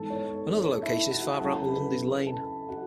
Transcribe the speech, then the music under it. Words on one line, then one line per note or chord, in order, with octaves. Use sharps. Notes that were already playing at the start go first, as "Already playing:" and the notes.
Another location is farther out on Lundy's Lane.
Already playing: G#2 E3 G#3 B3 D#4 A4 A5
C#5
C#5
E4 E5
F#4 F#5
C#3 F#3 C#4 E4 A4 A5
B4 B5
A4 A5
F#4 F#5